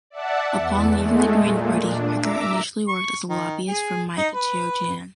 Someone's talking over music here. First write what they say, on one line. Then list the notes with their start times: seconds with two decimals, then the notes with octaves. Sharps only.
Upon leaving the Green Party, Parker initially worked as a lobbyist for Mike Geoghegan.
0.10 D5 E5 F#5 A5
0.55 E2
0.94 G#3 A3
1.38 A#2
1.84 D4
2.18 E5 A#5 D6 E6
2.88 C#6
3.29 D#3
3.68 G#4
4.17 D#4
4.34 B4